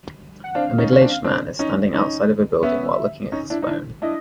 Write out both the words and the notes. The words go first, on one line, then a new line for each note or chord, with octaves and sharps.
A middleaged man is standing outside of a building while looking at his phone.
F#5
C4 D4 F5
C#4 D#4
C#4
C4 D4
C4 D4
C#4 D#4
C#4 D#4
B3 C#4 E5
C#4 D#4
D4 E4
D#4
D4 E4
D4 E4 D#5